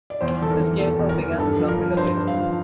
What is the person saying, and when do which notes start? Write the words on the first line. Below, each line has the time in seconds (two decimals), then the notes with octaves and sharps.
The Scarecrow began to grumble a bit.
0.10 D5
0.21 E2 C5
0.41 E3 A4
0.50 A#4
0.60 E3
0.79 E2 A4
0.99 E2
1.09 A#4
1.20 E3
1.32 A#4
1.38 G2 A4
1.59 F3
1.68 A#4
1.78 F3
1.97 G2 C5
2.17 G2
2.27 F5
2.37 F3